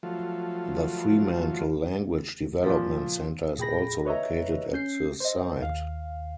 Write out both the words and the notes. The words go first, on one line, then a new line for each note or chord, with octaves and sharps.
The Fremantle Language Development Centre is also located at the site.
F3 F#3 A3 F4
A#2 F3
A#2 G#4 G5 B5 A#6
B4 C#5 D#5 E5 A#5
C#4 G6 C7
C5 D#5
D#2 F5